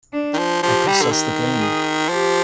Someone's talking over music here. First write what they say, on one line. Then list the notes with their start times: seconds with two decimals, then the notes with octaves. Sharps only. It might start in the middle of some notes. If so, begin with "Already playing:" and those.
I cost us the game.
0.13 D4
0.34 D#3
0.39 F3
0.63 F3 G4
0.87 G3
1.02 D3
1.12 D#3
1.60 G#4
2.09 F3 G4